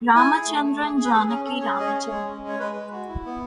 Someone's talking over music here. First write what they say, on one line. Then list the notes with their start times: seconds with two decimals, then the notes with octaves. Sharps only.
Ramachandran, Janaki Ramachandran.
0.15 E4 G#5
0.32 G#4
0.47 A3
0.63 A3
0.80 G#4
0.96 G#4
1.05 B4
1.12 G#4 A4
1.28 C#4 G#4
1.45 C#4 A4
1.61 G#4 C#5
1.78 C#4 D#5
1.86 C#5
1.94 G#4
2.10 G#3 C#5
2.27 C#4
2.44 G#3 C#5
2.59 G#3 B4
2.76 G#3
2.92 F#4
3.09 E4
3.25 B3